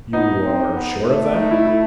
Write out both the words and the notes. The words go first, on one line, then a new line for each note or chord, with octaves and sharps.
"You are sure of that?"
B3 D#4
C4
B3
A3
D#4
E4
E4